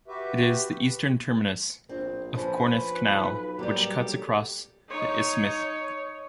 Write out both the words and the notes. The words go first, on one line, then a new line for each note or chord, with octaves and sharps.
It is the eastern terminus of the Corinth Canal, which cuts across the isthmus.
F#4 G4 B4 E5
A#1 C4
F3 C#4 B4
B1
F#3 G3 A#3 G4 A4
D#4 C#5